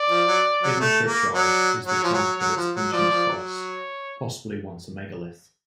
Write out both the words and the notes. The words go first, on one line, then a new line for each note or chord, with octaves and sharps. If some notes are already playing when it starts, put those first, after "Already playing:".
In the churchyard is the shaft of its ancient cross, possibly once a megalith.
Already playing: D5
F3
F#3
F#3
A3
A#3
F#3 D5
F#3 C#5
F3
F#3
F#3
F3
F#3
F3 D5
F3
F#3
C#5